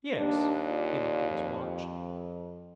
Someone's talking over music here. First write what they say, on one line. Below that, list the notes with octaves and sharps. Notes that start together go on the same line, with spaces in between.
"Yes!" He looked at his watch.
D#2 G3 A#3 D4
F4 D5
F2